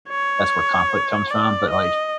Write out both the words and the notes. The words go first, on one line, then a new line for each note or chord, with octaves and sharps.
that's where conflict comes from, but like
C#5
D5
D#5